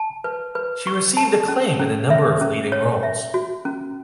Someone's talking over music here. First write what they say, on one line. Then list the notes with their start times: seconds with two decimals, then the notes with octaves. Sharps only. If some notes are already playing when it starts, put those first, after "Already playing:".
She received acclaim in a number of leading roles.
Already playing: A5
0.24 B4
0.55 B4
0.87 C#6
1.17 A5
1.48 C#4
1.80 C#4
2.10 E5
2.41 C#4
2.72 C#5
3.03 E5
3.34 F#4
3.65 C#4